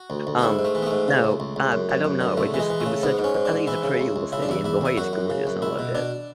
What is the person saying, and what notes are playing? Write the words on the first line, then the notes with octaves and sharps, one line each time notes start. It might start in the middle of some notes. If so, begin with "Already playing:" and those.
Um, no, um, I don't know. It just it was such a pr I think it's a pretty little city, and boy, it's gorgeous. I loved it.
Already playing: F#4
D2
D2
F#4
G#2 E4
G#2
A3
E3
B3
G#2 A3
C#3
C#2
C#2
C#2
F#2
F#2
F#2
D3
C#2 A3
E3
G#3
E3
A3
C#3
G#2 B3
G#2
C#4
G#2
D4
G#2
E3 E4
C#3
C#2
C#2
C#3 E4
D4
E2 E4
E2 E4
E2 E4
F#2 F#4
F#2
C#3
F#2
C#2 E4
B2
B2 D4